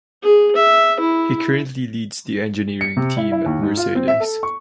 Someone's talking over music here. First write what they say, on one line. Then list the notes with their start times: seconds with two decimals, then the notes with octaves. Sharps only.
He currently leads the engineering team at Mercedes.
0.23 G#4
0.56 E5
1.00 E4
2.81 C#7
2.97 C3
3.17 E4
3.32 E4
3.46 D#2
3.62 G#2
3.77 F4
3.95 C4
4.08 E5
4.20 A4
4.43 C#6